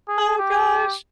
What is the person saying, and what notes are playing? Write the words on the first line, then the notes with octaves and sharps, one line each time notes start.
Oh gosh.
G#4
G4